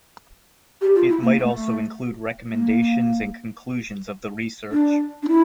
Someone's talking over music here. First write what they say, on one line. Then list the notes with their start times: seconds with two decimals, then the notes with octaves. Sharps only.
It might also include recommendations and conclusions of the research.
0.81 G4
0.95 F4
1.09 E4
1.22 A#3
1.37 A3
2.49 A#3
4.72 D4
5.23 D4
5.28 E4